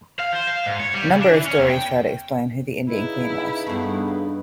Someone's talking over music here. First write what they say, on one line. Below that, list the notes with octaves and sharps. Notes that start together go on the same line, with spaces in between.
A number of stories try to explain who the Indian Queen was.
F5
C5
F5
G#2
C#5
G3
C#3
D4
E3
C#4
E2
G5
C#3 D#4 E4 B4
G2 A3 B3